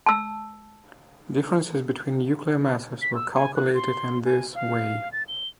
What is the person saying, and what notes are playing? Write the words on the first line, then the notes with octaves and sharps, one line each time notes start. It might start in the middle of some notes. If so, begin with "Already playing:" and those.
Differences between nuclear masses were calculated in this way.
A5 E6
B6
E6
G#5
F#6
C6
G#5
F5
A6
G7